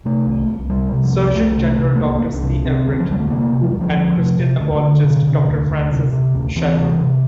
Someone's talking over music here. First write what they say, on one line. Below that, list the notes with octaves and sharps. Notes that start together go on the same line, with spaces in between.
Surgeon General Doctor C. Everett Koop and Christian apologist Doctor Francis Schaeffer.
C3 A3
C2
C2
C3 G3
C3
F3
C2
C2 A3
C3
C3
A3
C2 A#3
C2
D4
C3
C3 C4
D2
F3
D2 G3
A3
C3 A#3
C3
F3
D2 G3
F3
D2
C3
C3
D2 D3
D3
D2
C3
C3
D2
D2
C3
C3
D2
D2 E3
C3
C3